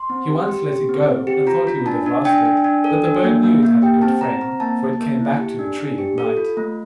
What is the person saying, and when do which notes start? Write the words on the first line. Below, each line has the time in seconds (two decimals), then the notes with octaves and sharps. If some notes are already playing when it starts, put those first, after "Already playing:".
He once let it go, and thought he would have lost it, but the bird knew it had a good friend, for it came back to the tree at night.
Already playing: C6
0.10 C4
0.29 G4
0.49 G4
0.69 G4
0.89 C4
1.08 C4
1.27 G4
1.47 F4 A#5
1.67 F4
1.86 D4 A5
2.06 D4
2.25 D4 G5
2.45 D4
2.64 D4
2.84 A4
3.04 D4
3.23 A#3
3.43 A#3
3.63 A#3
3.82 G4 G5
4.02 C4 A5
4.21 C4 A#5
4.41 C4 A#5
4.60 A#3 A5
4.81 A#3
5.00 A#3
5.19 E4
5.39 G4
5.59 D4
5.78 D4
5.98 G4
6.18 A4
6.37 F4
6.57 A3